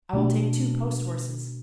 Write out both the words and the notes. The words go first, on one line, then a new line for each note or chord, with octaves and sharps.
"I will take two post-horses."
B2 A3 D4